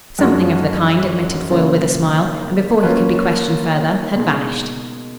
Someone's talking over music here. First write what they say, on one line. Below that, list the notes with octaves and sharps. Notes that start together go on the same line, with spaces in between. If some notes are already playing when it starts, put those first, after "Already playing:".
"Something of the kind," admitted Foyle with a smile, and before he could be questioned further had vanished.
F#2 F3 G#3 D#4 F#4
C#3 F#3 A#3 F4 A#4
F#3 A#3 C#4 F4 B4
B2 G#3 D#4 G#4